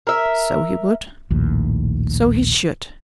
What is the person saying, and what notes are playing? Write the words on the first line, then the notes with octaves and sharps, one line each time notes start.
'So he would; so he should!
A#4 E5
A#1 D#2 A2